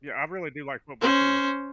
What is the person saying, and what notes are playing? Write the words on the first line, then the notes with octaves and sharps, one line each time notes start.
Yeah, I really do like football too.
C#4 C5